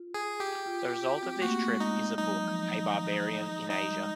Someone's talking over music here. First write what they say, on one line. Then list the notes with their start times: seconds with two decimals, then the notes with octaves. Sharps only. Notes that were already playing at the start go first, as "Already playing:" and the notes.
The result of this trip is the book "A Barbarian in Asia".
Already playing: F4
0.14 G#4
0.40 G4
0.66 F4
0.85 F4
1.04 F#4
1.22 C4
1.35 A3
1.42 A#3 F#4
1.67 G#3
1.80 D#4
2.18 F#3 D#4
2.44 F3
2.69 D#3
2.95 F3
3.71 G3 D#4
3.91 G#3